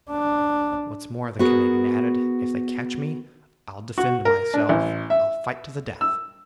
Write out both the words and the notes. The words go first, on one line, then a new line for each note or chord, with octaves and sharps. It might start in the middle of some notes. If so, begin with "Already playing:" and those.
"What's more," the Canadian added, "if they catch me, I'll defend myself, I'll fight to the death."
D4
B3 F#4 G#4 A#4
F#4
A#4
D4
A1
E5
E6